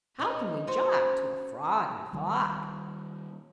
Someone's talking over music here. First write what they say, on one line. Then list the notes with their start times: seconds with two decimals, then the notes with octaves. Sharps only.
"How can we jog To a frog in a fog?"
0.20 C#4 D#4
0.67 C#4 F#4 C5
2.13 D#3 G3